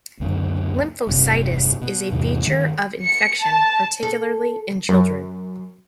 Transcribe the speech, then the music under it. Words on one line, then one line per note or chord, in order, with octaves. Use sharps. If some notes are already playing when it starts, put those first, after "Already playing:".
Lymphocytosis is a feature of infection, particularly in children.
C#2 F#2 D3
E1 G2 C3
B2
E2 G#2 C3 E3
G2 D#3
C#7
A5
A4
F#2